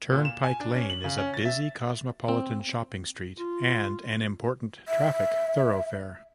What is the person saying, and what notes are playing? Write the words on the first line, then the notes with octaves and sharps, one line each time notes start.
Turnpike Lane is a busy cosmopolitan shopping street and an important traffic thoroughfare.
A#2
E7
G#5
D4
C#4
F#7
C#3
C#4
A6
E5
C4
F4
E5